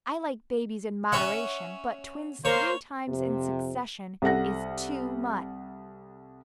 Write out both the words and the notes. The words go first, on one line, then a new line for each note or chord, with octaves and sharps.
I like babies in moderation, but twins three times in succession is TOO MUCH.
C#4 E5 F#5
A#3 C5 C#5
F2 C3
C2 A4 F#5 A#6